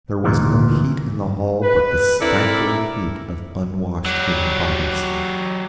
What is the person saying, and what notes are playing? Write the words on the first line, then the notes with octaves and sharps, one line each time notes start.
There was no heat in the hall but the stifling heat of unwashed human bodies.
D2 G2 A#2 D#3 E3
B4
C4 D4 E4 A4 A#4 D5
F#3 G4